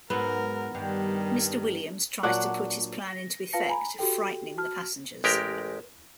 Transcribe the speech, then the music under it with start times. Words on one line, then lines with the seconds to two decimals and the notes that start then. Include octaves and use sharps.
Mr. Williams tries to put his plan into effect, frightening the passengers.
0.10 G#2 F#3 B3 A#4
0.75 G2 D#3 G3
2.23 A#2 F#3 D4 F#5
3.13 A#6
3.53 F4 B4 F5 A5 A#6 C#7
3.69 G#5 A#5 B5
3.99 F#4 G4 A4 G5
4.57 F#4 A5 F6
5.24 A1 G#3 G4 A#4